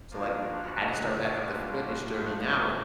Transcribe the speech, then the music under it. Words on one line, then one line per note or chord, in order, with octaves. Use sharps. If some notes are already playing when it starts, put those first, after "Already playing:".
so like I had to start back up the fitness journey now and
F3 A#3 D4 F4
F#4
C#3 F#3 A3 D4
G#4
B2 G3 A#3 D4 F4 G4
F#4
A2 F3 A3
F#4